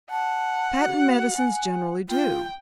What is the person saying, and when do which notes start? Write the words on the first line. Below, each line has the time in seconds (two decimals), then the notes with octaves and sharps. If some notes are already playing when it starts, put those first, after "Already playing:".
Patent medicines generally do.
0.10 F#5 A5
0.79 F#4
1.37 G#5
2.09 F4 G5